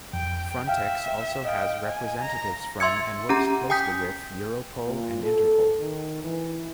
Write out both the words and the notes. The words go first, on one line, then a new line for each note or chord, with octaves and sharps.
Frontex also has representatives from and works closely with Europol and Interpol.
F2 G5
E5 F5 G5
D#5 F5 G5
G#5
A#5
E5 C6 E6 G#6 C#7
C#4 G4 A#5
G5 G#5 D#6 G6 B6
A#2
A4
D#3
E3